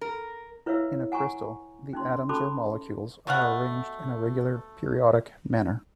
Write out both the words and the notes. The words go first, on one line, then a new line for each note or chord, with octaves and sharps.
In a crystal, the atoms or molecules are arranged in a regular, periodic manner.
A#4
E4 B4 C#5 E5 F5 E6
F#5 G#5 A#5 C#6
C#4 D#4 C6
C#4 A4 A5 B5 C6 D6
B2 A3 F5 F#5